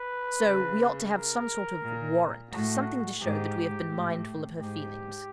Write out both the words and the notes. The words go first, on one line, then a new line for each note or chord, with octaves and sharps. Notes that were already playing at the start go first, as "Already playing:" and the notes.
So we ought to have some sort of warrant, something to show that we have been mindful of her feelings.
Already playing: B4
C#3
A#4
A#2
A2 F#4
G#2 G4
A2
G#2 G4